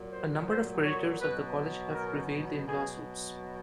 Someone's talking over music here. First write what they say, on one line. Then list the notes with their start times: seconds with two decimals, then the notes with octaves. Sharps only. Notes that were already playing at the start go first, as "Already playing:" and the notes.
A number of creditors of the college have prevailed in lawsuits.
Already playing: A#2 F#3
0.11 C5
0.47 C5
0.84 C#5
1.20 B2 F#3 B4
1.93 A#4
2.67 B2 F#3 G#4